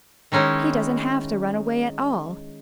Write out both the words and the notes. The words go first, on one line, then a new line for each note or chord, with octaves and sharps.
He doesn't have to run away at all!
D#3 G#3 C#4 D#4 E4